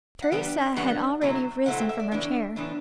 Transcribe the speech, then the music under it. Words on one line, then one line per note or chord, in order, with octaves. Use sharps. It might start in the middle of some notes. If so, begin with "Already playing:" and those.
Teresa had already arisen from her chair.
F#5
E3 G3 B3 D4 G5
E3 G3 B3 D4 F#5
B2 F#3 A3 C4 E4
B2 F#3 A3 C4 E4 F#5
G5
E5
D5
A2 E3 B3 D4
A2 E3 B3 D4